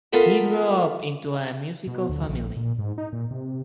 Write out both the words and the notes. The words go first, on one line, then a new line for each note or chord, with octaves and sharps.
He grew up into a musical family.
B3 F4 A4 A#4 E5
B2
D2
A#1
A#1
A#2
G#2
D#4
A#2
C3